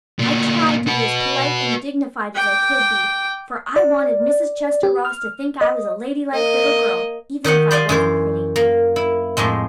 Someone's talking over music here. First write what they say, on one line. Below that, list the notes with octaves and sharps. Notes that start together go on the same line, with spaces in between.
I tried to be as polite and dignified as I could be, for I wanted Mrs. Chester Ross to think I was a ladylike little girl even if I wasn't pretty.
A#2 B3
F#4 B4
G5 D6
D5
G4
F6
D#5
A#3 D#5
D#3 D#4 G4 F#5
G4 C5 D5 F5 G5 G#5
F#2 E3 C5
A#3
E4
F2 A2 G#3 C4